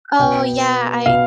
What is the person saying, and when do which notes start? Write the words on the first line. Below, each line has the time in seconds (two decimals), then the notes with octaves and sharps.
Oh, yeah, I
0.19 B2 B3 G5
1.06 B2 B3 F5